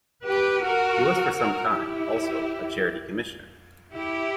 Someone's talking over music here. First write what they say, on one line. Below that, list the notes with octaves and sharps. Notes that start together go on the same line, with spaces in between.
He was for some time, also, a charity commissioner.
G4 B4
F#4 A#4
F#4 A#4
E4 G4
E4 G4